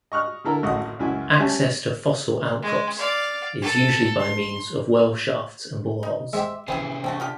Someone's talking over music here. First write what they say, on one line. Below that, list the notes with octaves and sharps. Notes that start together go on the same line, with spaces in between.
Access to fossil outcrops is usually by means of well shafts and boreholes.
D#5 C#6 F6 F#6
D3 E4 A4 A#4
G#1 F#2 A2 D#5 F#5
C#2 F#2 E4 G#5
G3 C#4 E5 G#5 A5
G#3
D5 F5
A4
C6
D#4
G#3 G4 C5 E5 G5
C3 E3 E4 G#4 C5 G5 A5
D3 A3 C4 F#4
D3 F4 G4